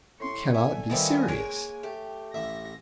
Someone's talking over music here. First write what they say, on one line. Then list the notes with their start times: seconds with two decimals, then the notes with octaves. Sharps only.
"You cannot be serious."
0.20 A2 C6 C#6
0.54 D3 A3 E5 G#5
0.90 D#3 F3 G3 A3 B3 C4
1.28 G#3 A#3 C#5
1.83 A3 G4
2.34 A1 E5 A#6